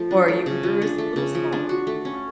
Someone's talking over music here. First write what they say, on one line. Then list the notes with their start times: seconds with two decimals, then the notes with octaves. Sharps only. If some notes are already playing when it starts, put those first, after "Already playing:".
or you can brew a s little small one, if you want.
Already playing: F3 A3
0.11 D4
0.28 A3
0.46 C#3
0.63 F3
0.82 D4
0.98 A3
1.16 C#3
1.35 F3
1.52 D4
1.69 F#4
1.87 A3
2.05 C#4